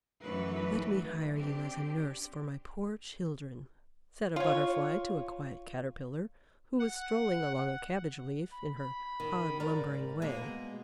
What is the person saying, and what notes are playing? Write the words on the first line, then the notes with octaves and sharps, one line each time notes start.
"Let me hire you as a nurse for my poor children," said a Butterfly to a quiet Caterpillar, who was strolling along a cabbage-leaf in her odd lumbering way.
F#2 E3 F#3 A3 D#4 B4
C4 D4 G4
F4 C#5
F#5
B5
B5
D#3
G#2 A#4 D5
B2 G#3 A#3